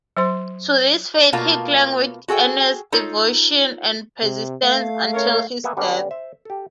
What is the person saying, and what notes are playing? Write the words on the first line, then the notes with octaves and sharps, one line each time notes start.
To this faith he clung with earnest devotion and persistence until his death.
F#3 C5 C6
B2 A3 A#3 F4 A5
F#4 G#4 A4 G5
D#4 F4 A4 C#5
C3
A3 F5
A#4 C#5
A#3 B3 B4 E5 F#5 G#5
D3 G3 B3 C#4 D4
C5 E5
G4 A4